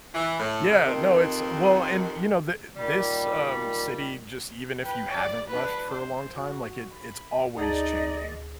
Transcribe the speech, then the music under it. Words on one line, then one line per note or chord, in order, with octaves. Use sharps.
Yeah, no, it's well and, you know, thi this, um, city, just even if you haven't left for a long time, like, it it's always changing.
E3
A2
C#3
F2 C3 D#3
A#2 D#3 G3
B4 G5
D5
D4 B4
C5
F#4
B5
D2 D#4 G#4 D5 D#5 A5